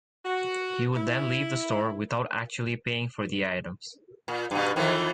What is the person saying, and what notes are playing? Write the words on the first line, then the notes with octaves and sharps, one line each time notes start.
He would then leave the store without actually paying for the items.
F#4
E4
A#2
G2 B2
F2 D#3 E3